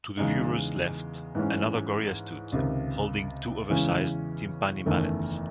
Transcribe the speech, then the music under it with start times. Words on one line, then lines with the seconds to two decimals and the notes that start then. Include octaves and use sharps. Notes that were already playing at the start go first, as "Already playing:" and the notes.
To the viewer's left another gorilla stood, holding two oversized timpani mallets.
0.17 E2 C#3 G#3 D#4
1.35 G#2 E3 G#3 C#4
2.52 C#2 C3 D#3
3.70 E2 C#3 E3 G#3 C#4
4.86 F#1 E2 D#3 A3